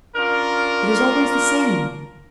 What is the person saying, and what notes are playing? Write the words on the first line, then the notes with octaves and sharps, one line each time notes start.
It is always the same.
C#4 D4 F4 A#4